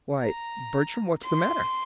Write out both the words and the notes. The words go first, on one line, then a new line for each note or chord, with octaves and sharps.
"Why, Bertram, what's the matter?"
A#5
C6